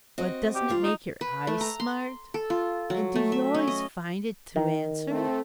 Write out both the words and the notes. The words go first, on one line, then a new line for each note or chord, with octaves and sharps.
But doesn't it make your eyes smart? and do you always find it to answer?'
C4 F#4 D#5
G4
D2 D4 F4
D#4
B4
A3
A#5
C6
A4
F4
F#3
A3
E5
C#4
D#5
D#3
A3 C4